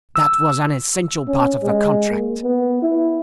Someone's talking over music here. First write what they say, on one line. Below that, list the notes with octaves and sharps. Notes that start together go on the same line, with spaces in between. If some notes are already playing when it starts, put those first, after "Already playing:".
That was an essential part of the contract.
E6
C#4
G#3
A#3
B3
E4